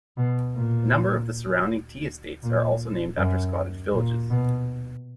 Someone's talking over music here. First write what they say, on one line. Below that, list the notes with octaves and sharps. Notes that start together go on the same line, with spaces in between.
A number of the surrounding tea estates are also named after Scottish villages.
B2
A#2
A#2
F#2
A#2
B2